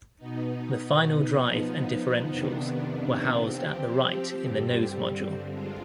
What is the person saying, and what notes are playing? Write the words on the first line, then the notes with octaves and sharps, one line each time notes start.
The final drive and differentials were housed at the right in the nose module.
B2 B3 D#4
F3 B3 D#4
F2 C3 D#3 B3 D4
F3 C4 G4
G2 D3 G3 C4
D3 G#3 D4 F4